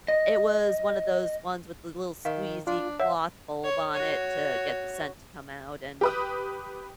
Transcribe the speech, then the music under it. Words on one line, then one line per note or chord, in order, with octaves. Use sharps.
It was one of those ones with the little squeezy cloth bulb on it to get the scent to come out, and
D#5
D#3 F5
D4 F4
C#5 E5 F#5
C#5
F#4 C#5
G4 B4 D#6